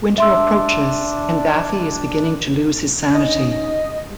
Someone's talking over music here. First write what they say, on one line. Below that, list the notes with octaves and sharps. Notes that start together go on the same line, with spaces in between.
Winter approaches, and Daffy is beginning to lose his sanity.
D4 E5 C6 E6
C#4 D#4 D#5